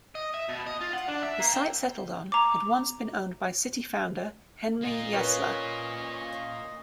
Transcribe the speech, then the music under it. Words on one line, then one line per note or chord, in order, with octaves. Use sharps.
The site settled on had once been owned by city founder Henry Yesler.
D#5
E5
B2
D#5
F4
F#5
D4
E5
A#3
G5
A#5 D6
A#3 F4 D#5
C#4 A#4 B4 C#5